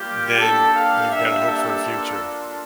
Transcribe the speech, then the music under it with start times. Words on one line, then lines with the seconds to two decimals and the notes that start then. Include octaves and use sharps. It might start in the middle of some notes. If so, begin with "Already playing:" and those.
then you've got a hope for a future.
Already playing: G3 A#3 F4 G4
0.37 A#3 D4 G4 A4
0.73 F5
1.10 G3 A#3 D4 G4 E5
1.46 A4
1.83 A#3 D4 F4